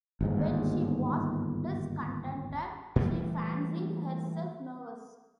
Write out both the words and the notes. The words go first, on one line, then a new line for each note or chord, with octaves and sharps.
When she was discontented, she fancied herself nervous.
G1 D#2 G#2
A#2 E3 G3 A3